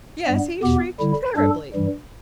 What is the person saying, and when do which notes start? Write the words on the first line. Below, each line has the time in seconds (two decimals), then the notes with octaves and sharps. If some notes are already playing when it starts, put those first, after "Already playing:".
Yes, he shrieked terribly!
0.25 G2 G3 B3
0.63 E2 B2 B3 G4
1.00 D3 G3 E4
1.36 G2 G3 D4 A4
1.73 G2 E3 G3